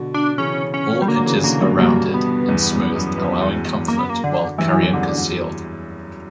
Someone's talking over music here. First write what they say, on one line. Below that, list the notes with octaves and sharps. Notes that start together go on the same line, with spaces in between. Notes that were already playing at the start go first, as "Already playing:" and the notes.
All edges are rounded and smoothed allowing comfort while carrying concealed.
Already playing: B2 D3
D4
C#3 E3 C#4
C#4
G3
D3 F#3 A#3
C#3 E3
E3
B2 D3 A#3
G2 B2
G2 B2 A#3
B3
E2 G2
F#2
F#2
F#2
E2
E2
F#2 A#3
B3
A#3
D3
G2 E3
F#2
E2
F#2 D3